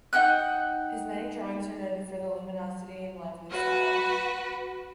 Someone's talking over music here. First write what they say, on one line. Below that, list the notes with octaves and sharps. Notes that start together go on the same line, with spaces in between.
His many drawings are noted for their luminosity and lively style.
D#4 F#5 G5 F#6
F#4 B4